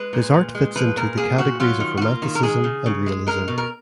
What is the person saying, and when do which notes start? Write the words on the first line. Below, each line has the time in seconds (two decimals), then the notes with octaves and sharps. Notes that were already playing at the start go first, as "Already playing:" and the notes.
His art fits into the categories of romanticism and realism.
Already playing: G#3 B4
0.13 A#2
0.34 A#2
0.55 G#3
0.76 F3 B4
0.97 A#2 A#4
1.17 A#3 G#4
1.38 A#2 F#4
1.60 F#3 F4
1.80 D#3
1.97 F#4
2.01 A#3 F4
2.22 D#3
2.35 A#4
2.43 G#3 G#4
2.64 C#3
2.86 C#3
3.06 G#3
3.26 G#3 A#4
3.48 B2
3.58 A#4